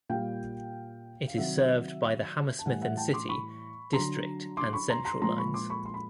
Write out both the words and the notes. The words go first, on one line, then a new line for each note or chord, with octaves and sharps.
It is served by the Hammersmith and City, District and Central lines.
A#2 G3 F5 G5
F5
C3 D#3 F#3 E5 F#5
A5
A2 E3 G3 F#5 G#5
E5 F#5
G5 A5
C6 D6
B5 C#6
D3 F#3 A#5 C6
C6 D6
B5 C#6
A#5 C6
A#5 C6
A#2 F3 G#3 A#5 C6
B5 C#6
C6 D6
B5 C#6
C6
B5